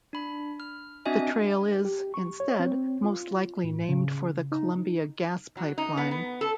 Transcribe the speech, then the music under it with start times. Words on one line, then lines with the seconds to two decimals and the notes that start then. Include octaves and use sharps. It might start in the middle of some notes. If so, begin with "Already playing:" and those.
The trail is, instead, most likely named for the Columbia Gas Pipeline.
0.13 D4 B5
0.60 F6
1.06 C4 D4 F#4 D#5 E5 G#5
1.85 G4
2.14 C#6
2.40 C#5
2.60 C4
3.04 F4
3.64 A2
3.89 C#3
4.52 D#4
5.57 F#3
5.78 D#4
5.97 B3
6.11 B3
6.41 A4